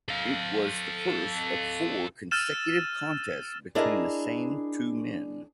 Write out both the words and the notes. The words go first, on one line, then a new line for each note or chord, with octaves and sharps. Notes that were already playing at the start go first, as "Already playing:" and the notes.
It was the first of four consecutive contests between the same two men.
A4 F5
E6 F6 G6 A6 D#7 E7
D4 E4 G#4 A#4 D5 D#5